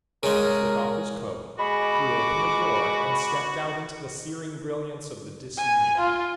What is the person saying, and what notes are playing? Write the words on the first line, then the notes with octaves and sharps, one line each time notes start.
He took off his coat, threw open the door and stepped out into the searing brilliance of the Disan noon.
C#3 G#3 A#4
G#3 F#4 B5 D6
G#5
F4